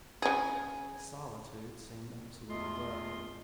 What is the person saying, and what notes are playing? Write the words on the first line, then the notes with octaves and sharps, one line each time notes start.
The solitude seemed absolutely virgin.
C#3 G#4
E2 G#3 A3 F4 D#5 C6